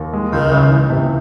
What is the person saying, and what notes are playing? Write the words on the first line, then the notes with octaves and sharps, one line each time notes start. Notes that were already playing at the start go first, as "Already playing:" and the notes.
No m
Already playing: D#2
G#3
C#2
C#3
E3
C3